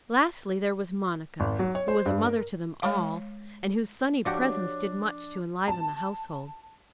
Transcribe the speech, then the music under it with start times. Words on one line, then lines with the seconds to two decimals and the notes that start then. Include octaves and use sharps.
Lastly there was Monica, who was a mother to them all, and whose sunny presence did much to enliven the household.
1.40 G#1
1.59 F#3
1.75 C#5
1.88 C5
2.06 G2
2.26 A#4
2.82 G#3 C#5 F5
4.25 F3 D4 F#4 G4 C#5 D6
5.68 A5